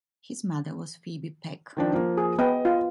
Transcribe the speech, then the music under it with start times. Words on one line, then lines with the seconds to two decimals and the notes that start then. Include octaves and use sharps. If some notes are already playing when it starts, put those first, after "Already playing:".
His mother was Phebe Peck.
1.77 D#3 F3 D4
1.93 F3 A#3
2.18 G#4
2.39 B3 D#5 G5
2.65 F4